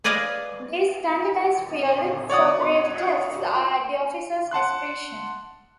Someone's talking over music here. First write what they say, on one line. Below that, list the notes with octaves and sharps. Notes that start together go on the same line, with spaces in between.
These "standardized field sobriety tests" are at the officer's discretion.
G#4 B4 D5 D#5 F5 G#5
C#5 D5 F#5 D#6
F#5 A5 C6 F#6